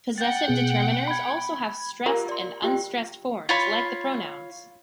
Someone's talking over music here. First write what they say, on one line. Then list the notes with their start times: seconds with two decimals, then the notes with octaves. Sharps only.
Possessive determiners also have stressed and unstressed forms, like the pronouns.
0.18 F#5 G5 G6 A6
0.48 B2 B3 G#4
1.08 B5 G#6
2.06 A#3 F4 G4 A#4
2.29 D5 C6
2.62 F4 G4 G5
3.49 F4 C#5 B5